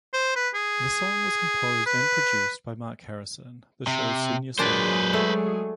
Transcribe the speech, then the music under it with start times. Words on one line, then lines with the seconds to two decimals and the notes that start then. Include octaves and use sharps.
The song was composed and produced by Mark Harrison, the show's senior songwriter.
0.14 C5
0.36 B4
0.55 G#4
1.86 B4
3.87 C3
4.59 A#2 F#3 G#3 D4 G#4 B4 C5
5.13 A3